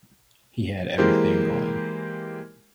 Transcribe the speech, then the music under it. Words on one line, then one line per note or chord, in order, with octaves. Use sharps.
He had everything going.
E3 G#3 A#3 G4 A#4 C5